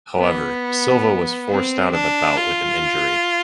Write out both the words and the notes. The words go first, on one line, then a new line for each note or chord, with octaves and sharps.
However, Silva was forced out of the bout with an injury.
B3
C4
D4
F4